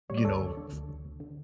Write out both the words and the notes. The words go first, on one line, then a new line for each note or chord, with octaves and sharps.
you know, f
G3 C#5
D5
D2 A4 C#5
D2
D3
D2
D2
D2
D3